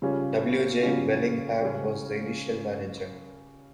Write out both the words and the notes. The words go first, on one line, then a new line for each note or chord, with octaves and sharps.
W. J. Bellingham was the initial manager.
C#3 G3 C#4 F4
C#3 G3 C#4 F4
C#3 G3 C#4